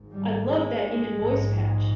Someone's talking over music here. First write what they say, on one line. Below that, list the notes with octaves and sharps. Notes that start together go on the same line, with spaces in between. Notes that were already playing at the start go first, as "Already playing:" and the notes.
I loved that "Init Voice" patch.
Already playing: G#1 G#2
G3
G#3
A#1 G#2